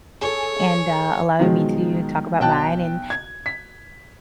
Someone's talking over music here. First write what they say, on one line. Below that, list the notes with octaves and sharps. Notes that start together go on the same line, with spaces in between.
and, uh, allowing me to talk about mine, and,
G#4 A4 C#5
B2 D#3 F3 F#3 G#3
B1 G5 A5 F#6
G#6
B6